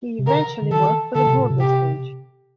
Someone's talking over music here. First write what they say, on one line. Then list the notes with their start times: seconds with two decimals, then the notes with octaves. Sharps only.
He eventually worked for the Broadway stage.
0.19 C3
0.27 D3 A#4
0.62 D3
0.71 D#3 A4
1.15 D3 A4
1.27 C3
1.39 A#2
1.50 C3
1.60 G4